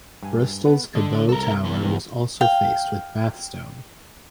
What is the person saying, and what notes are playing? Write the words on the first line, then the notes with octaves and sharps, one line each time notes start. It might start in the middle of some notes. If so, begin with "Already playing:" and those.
Bristol's Cabot Tower was also faced with Bath Stone.
G2 G#5
B3 B4 F#5
D3 D4 D#5
C2 A4 A#4
E2 E3
G#1 C#2 G2
F5 G5